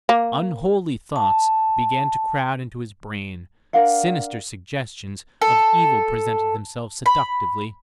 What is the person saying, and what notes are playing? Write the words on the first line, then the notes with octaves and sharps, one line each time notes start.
Unholy thoughts began to crowd into his brain, sinister suggestions of evil presented themselves seductively.
A#3
A5
D4 A#4 F5 F#5
A4
B5